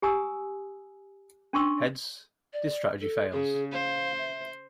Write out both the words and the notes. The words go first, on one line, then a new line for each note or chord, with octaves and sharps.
Hence this strategy fails.
G4 G#5 A#5 D#6 E6
C#4 D4 G5 C6 C#6 E6
D5
A4
C#3 G#4
C5 F5
E5